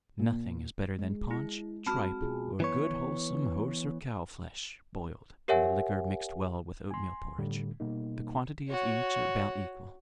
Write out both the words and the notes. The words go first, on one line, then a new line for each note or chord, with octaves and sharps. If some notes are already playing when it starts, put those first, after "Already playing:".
Nothing is better than paunch, tripe, or good wholesome horse or cow-flesh, boiled, and the liquor mixed well with oatmeal porridge; the quantity of each about equal.
A#2
G#3
E4
C4 F#4 A5 B5 F6
B2 F4 G#4
E3 B3 C#5
G4 A#4 C#5 E5 F#5 G#5
G#5 C6
A2 D3 G3 A3
B2 G3 A#3 D#4
F#4 C#5